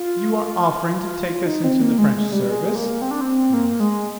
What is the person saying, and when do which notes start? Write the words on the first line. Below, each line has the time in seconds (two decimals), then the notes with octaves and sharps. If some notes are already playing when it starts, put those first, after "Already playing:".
"You are offering to take us into the French service?" he asked.
Already playing: F4
1.46 D#4
1.64 C4
1.81 A#3
1.98 G#3
2.15 G#3
2.32 G3
2.51 G#3
2.75 A#3
3.02 C4
3.11 D4
3.21 C4
3.54 A#3
3.80 G#3